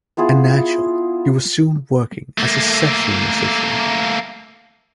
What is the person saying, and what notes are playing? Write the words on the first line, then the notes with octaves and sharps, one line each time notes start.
A natural, he was soon working as a session musician.
B3 E4 F4 G#4
A3 A#3